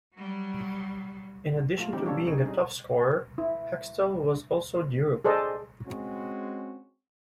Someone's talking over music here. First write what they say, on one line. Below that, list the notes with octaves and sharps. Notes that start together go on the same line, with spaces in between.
In addition to being a top scorer, Hextall was also durable.
F#3 G3
F#3 A3 F4
D3 E3 G3 C4 D#4 G4
F#3 C#4 D4 F4 A4 C#5
D3 C4 D#4 G#4 C#5
G3 C#4 D#4 G#4
E4
G#4 A4 C5 D5 D#5
G#3 C4 C#4 F#4